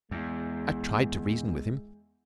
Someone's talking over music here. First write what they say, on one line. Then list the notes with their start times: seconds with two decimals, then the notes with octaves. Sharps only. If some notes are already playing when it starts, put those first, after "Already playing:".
I tried to reason with him.
0.11 E2 G#3